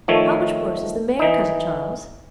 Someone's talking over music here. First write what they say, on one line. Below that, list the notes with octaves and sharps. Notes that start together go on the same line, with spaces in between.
"How much worse is the mare, cousin Charles?"
D#3 F3 A3 C#5
E3 D#4